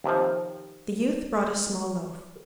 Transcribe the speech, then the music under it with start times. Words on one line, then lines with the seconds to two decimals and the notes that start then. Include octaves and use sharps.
The youth brought a small loaf.
0.04 D#2 C3 F3